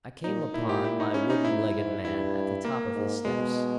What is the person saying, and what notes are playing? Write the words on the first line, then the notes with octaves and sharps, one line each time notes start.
I came upon my wooden-legged man at the top of his steps.
A#2 D#4
A#2 E4
G4
E4
D#4
C#4
D#4
G#2 E4
G#2
G2 E4
A#3
G#2
B2 G#3
G#3